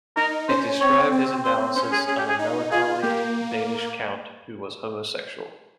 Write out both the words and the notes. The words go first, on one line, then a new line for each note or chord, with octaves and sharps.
It described his analysis of a melancholy Danish count who was homosexual.
D#4 A#4
C#4 C5
C4 C#5
C4
C4 C5
C#4 C5
G#4
C#4 G#4
G4
G#4
D#4
F4 G#4
A#3 G4